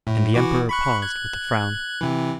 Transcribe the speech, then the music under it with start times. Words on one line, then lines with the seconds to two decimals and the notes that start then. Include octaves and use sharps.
And the Emperor paused, with a frown.
0.07 A2
0.34 E3 F#4 D6
0.69 B5 C#6 F#6
1.02 F#6 G#6
2.01 C3 E3